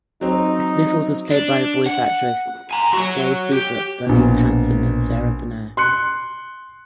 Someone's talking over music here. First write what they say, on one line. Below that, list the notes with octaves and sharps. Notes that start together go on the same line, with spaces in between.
Sniffles was played by voice actresses Gay Seabrook, Bernice Hansen, and Sara Berner.
F#3 C4 D#4
D4
F#5
G#5 A#5
F#4 C#5
G4
A#1 B2
C6 F#6 C#7